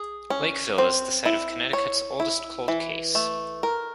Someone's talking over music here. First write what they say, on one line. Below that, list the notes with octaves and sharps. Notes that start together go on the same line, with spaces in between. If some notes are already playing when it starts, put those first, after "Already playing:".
Lakeville is the site of Connecticut's oldest cold case.
Already playing: G#4
C#4
C4
E4
C#5
E4
E3
A3
A#4